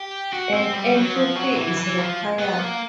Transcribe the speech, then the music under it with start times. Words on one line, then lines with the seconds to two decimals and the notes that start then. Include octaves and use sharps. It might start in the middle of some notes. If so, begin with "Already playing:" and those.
An entry fee is required.
Already playing: G4
0.33 F#4
0.52 C4
0.73 G3
0.94 F#3
1.15 F3
1.36 F#3
1.56 E3
1.77 E3
1.98 F3
2.39 B3
2.59 A#3